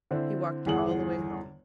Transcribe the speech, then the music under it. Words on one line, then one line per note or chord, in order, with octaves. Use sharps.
He walked all the way home.
D3 C4 E4
G1 E2 G#4 F#5 F#7